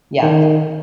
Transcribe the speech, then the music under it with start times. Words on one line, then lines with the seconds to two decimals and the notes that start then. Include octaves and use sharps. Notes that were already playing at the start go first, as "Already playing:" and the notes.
Yeah, t
0.22 D#3